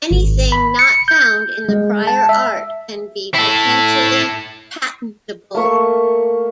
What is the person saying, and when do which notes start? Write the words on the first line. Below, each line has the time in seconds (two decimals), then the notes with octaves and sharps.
Anything not found in the prior art can be potentially patentable.
0.11 G#1
0.52 B5
0.79 C#7
1.08 G6
1.69 G#3
2.07 A5
2.29 E5
3.34 E4 A4
5.54 A3 A#3 E5 C#6